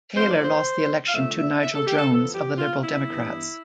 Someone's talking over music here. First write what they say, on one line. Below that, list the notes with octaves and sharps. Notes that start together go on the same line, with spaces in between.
Taylor lost the election to Nigel Jones of the Liberal Democrats.
A2 F3 B3 C5
D5
C5
F5
F2 D3 F3 A3 E5
E5
E5
A4
G4
A4
F2 E3 B3 A4
G4
F4
E4
G2 E3 B3